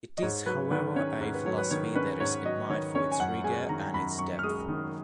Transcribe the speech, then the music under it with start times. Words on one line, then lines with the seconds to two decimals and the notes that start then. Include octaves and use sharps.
It is however a philosophy that is admired for its "rigor" and its "depth".
0.18 D#5
0.22 G#2 C#5
0.46 F#3 B4
0.71 D#3 B4
0.96 C#4 C#5
1.21 G#2
1.34 B4
1.46 F#3 C#5
1.58 B4
1.71 D#3 C#5
1.95 C#4 B4
2.20 G#2 C#5
2.45 F#3 D#5
2.69 D#3 C#5
2.95 C#4 C#5
3.12 G#5
3.20 F#2 F#5
3.44 G#3 G#5
3.69 D#3 A#5
3.94 F#2 B5
4.19 F#2 C#6
4.39 F6
4.43 G#3 D#6
4.69 D#3